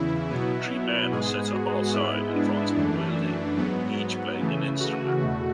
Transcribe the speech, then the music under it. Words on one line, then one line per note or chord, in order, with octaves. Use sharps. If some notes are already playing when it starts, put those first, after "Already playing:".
Three men are set up outside in front of a building, each playing an instrument.
Already playing: E2 C#3 E3 E4
B2 F#3 B3
G#2 G#3 B3 G#4
F#4
G#2 G#3 B3 E4
D4
F#2 E3 A3
G#2 F#3 B3
C#3 E3 A3
F#4
E2 B2 A3